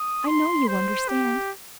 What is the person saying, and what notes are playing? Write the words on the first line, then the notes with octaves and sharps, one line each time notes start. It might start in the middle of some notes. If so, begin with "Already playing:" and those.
I know you understand.
Already playing: D#6
C6
C5
G4